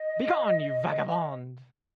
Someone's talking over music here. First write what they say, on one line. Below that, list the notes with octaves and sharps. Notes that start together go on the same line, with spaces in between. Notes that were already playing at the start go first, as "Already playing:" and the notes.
Begone, you vagabond!
Already playing: D#5